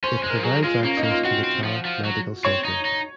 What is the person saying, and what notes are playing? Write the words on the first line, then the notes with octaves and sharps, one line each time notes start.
It provides access to the Tallaght Medical Centre.
C#4 C5
C5
G#3
A#4
F3
F#3 G#4
G#3 F4
A#3 C#4
D#4
A#3
F4
C4 F#4
C4
F3
F3
F#3
C4 C#5
D#4
D#4